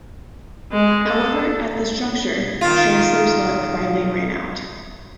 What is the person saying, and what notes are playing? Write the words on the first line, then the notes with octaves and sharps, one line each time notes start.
However at this juncture Chancellor's luck finally ran out.
G#3
A4
D#3 F4